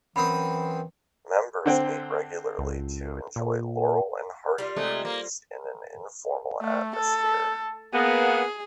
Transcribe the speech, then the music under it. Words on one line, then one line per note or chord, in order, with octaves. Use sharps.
Members meet regularly to enjoy Laurel and Hardy movies in an informal atmosphere.
F#2 E3 C4 B5 D#6
D3 C4 G5
C#2
A#2
G3 F4
C3 G#3 A3
A#3
A3
A4
A#3 B3 G#4